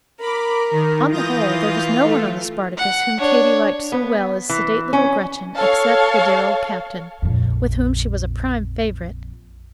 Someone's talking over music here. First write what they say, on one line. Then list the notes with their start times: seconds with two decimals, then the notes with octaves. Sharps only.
On the whole, there was no one on the "Spartacus" whom Katy liked so well as sedate little Gretchen except the dear old Captain, with whom she was a prime favorite.
0.19 A#4 B5 D6
0.71 D#3
1.12 E3 F4 D#6 G6 A#6
2.04 A3
2.77 F#5
3.18 D4 C#5
3.92 B3
4.50 E3
4.93 C#4
5.57 A4 C#5 F5
7.22 A#1 F2